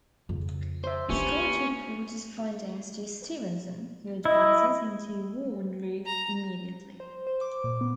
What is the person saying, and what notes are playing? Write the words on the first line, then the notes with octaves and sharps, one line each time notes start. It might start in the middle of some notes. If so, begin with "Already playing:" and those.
Scott reports his findings to Stevenson, who advises him to warn Ruth immediately.
F2 C#3
C5 E5
A#3 C#4 D4 F4 G4 B4
E4 D#5
A#5
C5
C5
D6
A#2
B3